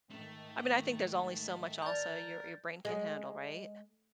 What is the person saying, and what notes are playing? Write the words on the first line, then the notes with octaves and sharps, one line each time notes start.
I mean, I think there's only so much also your, your brain can't handle, right?
G#2 D#3 A3
A#4 D5 A5 G6 A6
G#3